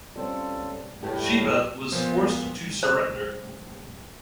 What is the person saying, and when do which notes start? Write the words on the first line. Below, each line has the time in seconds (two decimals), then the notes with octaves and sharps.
Shiba was forced to surrender.
0.16 G3 C4 C#4 F4 A4
1.03 A2 F#3 G3 G4 B4 A5
1.92 A#2 F3 B3 C5
2.83 C5